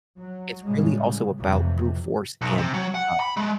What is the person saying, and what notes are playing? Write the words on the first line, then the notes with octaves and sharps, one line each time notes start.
it's really also about brute force and, uh,
F#3
A2 C#3 G3 G#3
F2 A2 C3 E3
B1
C3
F#3
F#5
B5
G#3